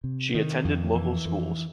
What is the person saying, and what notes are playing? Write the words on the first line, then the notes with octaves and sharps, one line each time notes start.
She attended local schools.
C3
D#3
F2
E3
F2